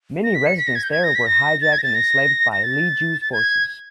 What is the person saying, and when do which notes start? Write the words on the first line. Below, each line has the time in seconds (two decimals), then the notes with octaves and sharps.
Many residents there were hijacked and enslaved by Li Jue's forces.
0.24 A#6
0.35 B6
0.46 C#7
0.58 B6
0.67 A#6
0.75 G#6
0.83 G6
0.92 G#6
1.04 A#6
1.15 B6
1.26 A#6
1.61 A6
1.73 G#6
1.79 A#6
1.83 A6
1.95 A#6
2.52 A#6
2.64 A6
3.21 A6
3.33 G#6